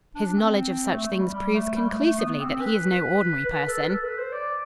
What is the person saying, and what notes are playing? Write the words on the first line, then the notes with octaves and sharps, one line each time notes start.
"His knowledge of such things proves conclusively that he is no ordinary person."
D4
D4
C4
A3
A3
G3
G3
A3
G3
A3
A3
B3
C4
B4
B4
A4
B4
A4
B4
C5
D5